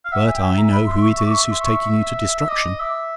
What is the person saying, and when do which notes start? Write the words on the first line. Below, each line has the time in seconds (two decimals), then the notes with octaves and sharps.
But I know who it is who's taking you to destruction.
0.05 F5
0.12 E5 F#5
0.27 G#5
0.35 G5
0.42 G#5
0.57 A#5
0.72 B5
0.86 C6
1.01 C#6
1.16 C#6
1.26 D6
1.31 C#6
1.51 C6
1.61 C#6
2.39 E5
2.49 D#5 D6
2.80 E5 D6